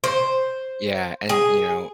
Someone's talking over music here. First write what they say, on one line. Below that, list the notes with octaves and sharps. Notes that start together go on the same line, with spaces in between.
Yeah, and, you know,
C5
G#4